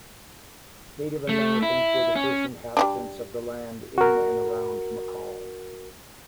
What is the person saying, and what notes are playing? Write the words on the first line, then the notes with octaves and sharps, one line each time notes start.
Native Americans were the first inhabitants of the land in and around McCall.
A3
E4
C#4
G3 C#4 D4
F#4 A#4